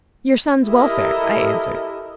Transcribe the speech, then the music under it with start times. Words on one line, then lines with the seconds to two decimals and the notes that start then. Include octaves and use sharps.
"Your son's welfare," I answered.
0.66 E4 G4 A4 A#4 D#5